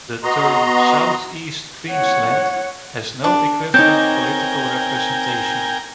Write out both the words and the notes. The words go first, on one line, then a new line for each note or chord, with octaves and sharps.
The term South East Queensland has no equivalent political representation.
B3 F#4 D#5 A#5 C6
C#5 F#5
D4
C4 D#4 A#4 C#5 G5 G#5 D6 G6